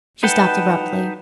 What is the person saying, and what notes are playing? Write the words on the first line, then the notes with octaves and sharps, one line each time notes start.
She stopped abruptly.
D#4 B4 F#5 G5 A5